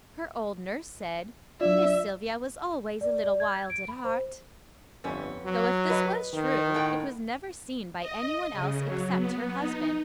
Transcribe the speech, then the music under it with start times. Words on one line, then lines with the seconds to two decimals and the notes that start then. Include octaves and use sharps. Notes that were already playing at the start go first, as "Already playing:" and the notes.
Her old nurse said: "Miss Silvia was always a little wild at heart," though if this was true it was never seen by anyone else except her husband.
1.61 F#3 D4 F4 D5 E5
3.01 D5
3.24 D5
3.40 G#6
3.70 D7
3.88 B5
4.05 C5
5.04 G1 F2 B3 C#4
5.45 F#3
5.90 B4 D#5
6.33 D#3
6.74 A2 F#5 G5
7.99 D#5
8.52 C#3
8.85 F#3
9.16 B3
9.59 D#4